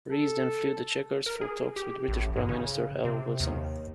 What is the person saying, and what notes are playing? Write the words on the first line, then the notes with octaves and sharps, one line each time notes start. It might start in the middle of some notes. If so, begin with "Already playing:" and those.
Rees then flew to Chequers for talks with British Prime Minister Harold Wilson.
A4
A#4
G#4
G4
A1
G#2
C#3
C3
D#2